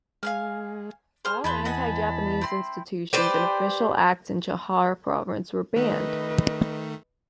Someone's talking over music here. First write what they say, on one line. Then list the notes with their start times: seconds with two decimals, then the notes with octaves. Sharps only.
All anti-Japanese institutions and official acts in Chahar Province were banned.
0.23 G#3 F5 G#5 F6
1.25 G#4 C5 F6
1.44 E2 G#4 B4 C5 A5 B5
1.65 D#5 F#5 G#5
2.41 C4 E4 C6
3.13 G4 B4 C5 D5
5.76 D#3 A3 B4 D#5